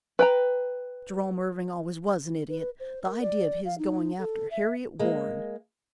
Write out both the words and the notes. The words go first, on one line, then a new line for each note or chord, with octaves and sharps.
Jerome Irving always was an idiot. The idea of his going after Harriet Warren!
B4 G5 A#5
B4
C5
A#4
D5
F5
D#4
A4
E5
G#3 A#3